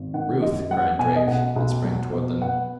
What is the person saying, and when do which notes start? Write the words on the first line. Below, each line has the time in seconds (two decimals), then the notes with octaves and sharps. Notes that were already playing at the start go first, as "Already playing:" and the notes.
"Ruth!" cried Drake--and sprang toward them.
Already playing: G#1
0.14 D#3 F#5
0.42 F#2 D#5
0.70 F#3 F#5
0.98 B2 G#5
1.16 D#5
1.27 B1 F#5
1.56 B1
1.84 F#3
2.12 B2
2.41 B3 F#5